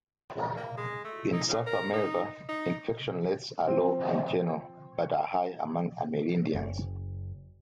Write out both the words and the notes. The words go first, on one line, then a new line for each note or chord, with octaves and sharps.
In South America, infection rates are low in general but are high among Amerindians.
A#3
G#3
A3
D#4
C#3
A#4
D#4
D#4
F3 C4
F#1